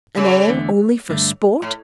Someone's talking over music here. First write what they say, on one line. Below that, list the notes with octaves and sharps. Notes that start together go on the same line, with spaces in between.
And all only for sport?
C#3
E2 D3 A3
G2 D3 A3
A2